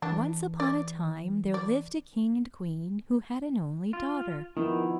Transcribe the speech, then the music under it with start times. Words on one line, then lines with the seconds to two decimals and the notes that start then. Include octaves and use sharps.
Once upon a time there lived a king and queen, who had an only daughter.
0.02 E3 D4
0.60 D5
1.54 D5
3.93 F4
4.57 D#3 F3 B3 E4